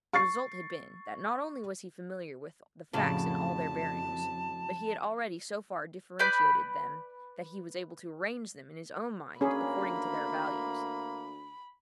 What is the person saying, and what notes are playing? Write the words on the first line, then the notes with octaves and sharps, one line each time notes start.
The result had been that not only was he familiar with the facts in all their bearings, but he had already so far differentiated them that he was able to arrange them in his own mind according to their values.
C#6 A6 C7
F2 A2 C#3 F#3 D5 F5 A5
B4 D5 B5 G6
D2 A#3 C#4 G#4 B5